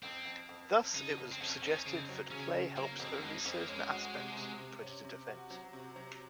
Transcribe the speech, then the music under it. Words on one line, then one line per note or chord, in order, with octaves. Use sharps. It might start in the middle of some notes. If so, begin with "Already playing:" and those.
Thus, it was suggested that play helps develop only certain aspects of predator defence.
F2 C4
F2
F2
F2
C#3 D#4
F2
C4
F2 C#4
F2 D#4
C#4
C#3 C4
F#3
C#3 C#4
C#3
F#3 A#3
F2 C4
A#3
F2 G#3
D#4
F2 C#4
C4
A#3
G#3 C#4
F#4
C3
C3
C3
C#4
C3
F#4
F#3
C3
F#3